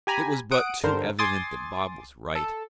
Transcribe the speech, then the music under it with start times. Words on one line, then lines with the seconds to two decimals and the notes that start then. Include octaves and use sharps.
It was but too evident that Bob was right.
0.07 G4 G#5 A#5 B5
0.51 F#5 D#6 D7
0.83 G2 D3 A#4 C5
1.19 G#5 C6 D6 D#6 A6
2.35 A4